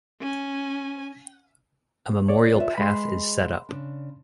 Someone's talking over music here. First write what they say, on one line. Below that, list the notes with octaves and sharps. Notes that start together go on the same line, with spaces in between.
A memorial path is set up.
C#4 G#5
C#5 D5
F4 B4 E5
G#3 G#4 B5 C6
C#3 D4